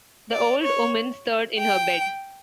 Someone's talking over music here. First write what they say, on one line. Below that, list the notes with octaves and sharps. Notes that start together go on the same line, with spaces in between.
The old woman stirred in her bed.
D5
C#5
G5